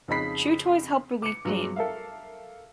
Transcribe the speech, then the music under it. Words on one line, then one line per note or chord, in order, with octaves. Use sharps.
Chew toys help relieve pain.
F2 C#3 D#4 B5 B6 C7
D6 C#7
G2 F#3 G#3
A4 A#4 E5 F5